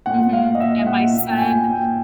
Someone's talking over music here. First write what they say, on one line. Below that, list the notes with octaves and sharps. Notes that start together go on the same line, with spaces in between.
Mhm, and my son
A#2 F#5
A#2 F5
D#5
A#2 E5
A#2 F#5
A#2
G5
A#2 G#5
G5
A#2 G5